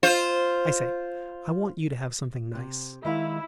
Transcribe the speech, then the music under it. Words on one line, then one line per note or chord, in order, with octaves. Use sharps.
I say, I want you to have something nice.
F4 C5
C3
D#3 G#3 E4 F5